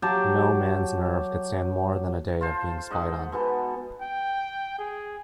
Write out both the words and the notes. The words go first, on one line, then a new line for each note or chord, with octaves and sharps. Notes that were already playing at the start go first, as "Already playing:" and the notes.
No man’s nerve could stand more than a day of being spied on.
F#3 G4 A5
F4 A4 C5
G#2 D#5 F#5
B2 G#3 B3 A4
G5
G#4